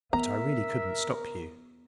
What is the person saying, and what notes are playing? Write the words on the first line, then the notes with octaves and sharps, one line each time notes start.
But I really couldn't stop you.'
B3 A#4 E5 A#5